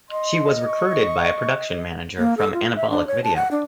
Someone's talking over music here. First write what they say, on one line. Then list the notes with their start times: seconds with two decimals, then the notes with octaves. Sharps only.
She was recruited by a production manager from Anabolic Video.
0.11 D#5 C6
0.67 C#6
2.19 A#3
2.37 A4
2.53 F4
2.76 E5
2.90 D4
3.07 C#5
3.24 A5
3.36 F#5
3.51 D4